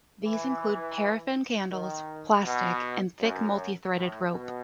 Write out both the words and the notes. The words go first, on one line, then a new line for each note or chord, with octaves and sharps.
These include paraffin candles, plastic, and thick multithreaded rope.
E3
D#3
B2
F#2
A2
B2